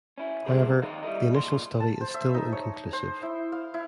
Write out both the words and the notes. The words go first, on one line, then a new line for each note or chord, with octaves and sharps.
However, the initial study is still inconclusive.
C#4 E4
G3 B3 C4 E4 G#4
D2 D#3 F3 D#5 F5 A#5
G3 E4 A4 D#5
B1 E2 A#2 F4 B5 C6
A5
C5
E5
D#4
C#5
C5
E4
F5
E4